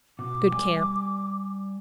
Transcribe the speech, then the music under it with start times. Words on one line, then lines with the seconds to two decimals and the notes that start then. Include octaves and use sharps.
Good Camp.
0.19 B2 D6
0.52 G3 G#5